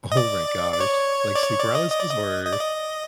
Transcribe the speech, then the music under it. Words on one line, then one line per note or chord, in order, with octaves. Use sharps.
Oh my gosh. Like sleep paralysis, or
D#5
D5
D5
C#5
D5
C#5
D5
D#5
D#5
D5
D#5
D#5
D5
D#5